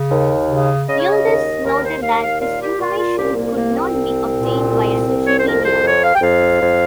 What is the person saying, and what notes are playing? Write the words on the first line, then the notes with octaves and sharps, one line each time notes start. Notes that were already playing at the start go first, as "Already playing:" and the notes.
Yildiz noted that this information could not be obtained via social media.
Already playing: C#3
D#2
C#3
C#3 D#5
C#5
D#5
D#2
D#2 A#4
C5
D#2 F5
F5
A#2 F5
G4
A#2 F4
F4
C2 G4
A#3
C2 A#3
C4
C2
A#2
C2
C2
C#5
C5
F2 A#4
C5
F2 C#5
F5
G5
F2 F5
F2